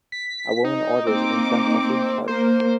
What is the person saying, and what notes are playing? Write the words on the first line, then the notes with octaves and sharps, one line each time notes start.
A woman orders in front a food cart.
B6
D#4
A#3 C4 D#4 D6
A#3 C5